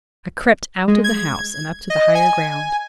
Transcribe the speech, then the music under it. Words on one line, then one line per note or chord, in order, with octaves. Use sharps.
I crept out of the house, and up to the higher ground.
G#3
G#6
D#5
G#5